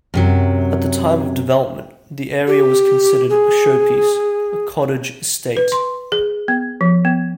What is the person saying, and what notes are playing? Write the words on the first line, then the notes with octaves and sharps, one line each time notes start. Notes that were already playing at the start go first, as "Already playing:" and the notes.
At the time of development, the area was considered 'a showpiece, a cottage estate'.
F#2 C3 F#3
G4
G#4
B4
C6
G#4
B3
F3
B3